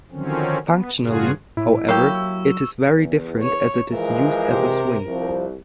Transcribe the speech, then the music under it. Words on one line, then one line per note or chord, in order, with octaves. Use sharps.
Functionally, however, it is very different as it is used as a swing.
D3 D#3 F3 F#3 C4 C#4
B3
G2 C#3 F4 F#4 G#4
A2 E4
F#3 A#3 G4 C#6 E6
E6
E2
C#5
E3 F3 G#3 A#4
C3 G4 C5
C2 F3